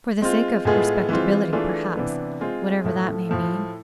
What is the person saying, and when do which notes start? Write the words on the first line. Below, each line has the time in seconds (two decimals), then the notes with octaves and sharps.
For the sake of respectability, perhaps, whatever that may mean.
0.21 G#3 C4 F4
0.65 A2 G#3 B3 F4 G#4
1.09 E3 G#3 C4 F4
1.53 E3 A3 D4 F4 G#4
1.97 C3 E3 B3 D4
2.41 G#3 C4 F4 G#4
2.84 A2 F3 A3
3.29 A2 F3 A3